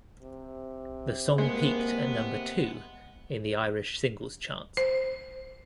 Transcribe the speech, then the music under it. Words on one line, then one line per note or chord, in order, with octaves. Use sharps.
The song peaked at number two in the Irish Singles Chart.
C3
G#3 A#3 B3
C5